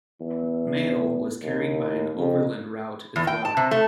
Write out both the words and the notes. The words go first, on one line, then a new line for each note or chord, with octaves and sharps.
Mail was carried by an overland route, as well.
E2
D#2
F2
E2
G5
A5
C3
A3